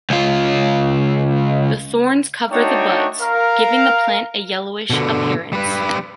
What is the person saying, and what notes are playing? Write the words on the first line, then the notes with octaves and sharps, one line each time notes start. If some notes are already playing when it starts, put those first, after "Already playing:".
The thorns cover the buds, giving the plant a yellowish appearance.
C#2 F4
A3 D4 D#4 F#4 C#5 G5
A#4 F5
B2 D3
G3 B4